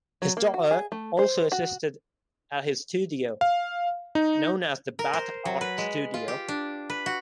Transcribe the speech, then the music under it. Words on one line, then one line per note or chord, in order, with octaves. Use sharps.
His daughter also assisted at his studio, known as the Bath Art Studio.
F#3
A#3
F#4
G#4
A3
C5
F#4
F5
D#4
A#4
C5
F#3
B4
G#3
F4
G4
D4
B4
F#4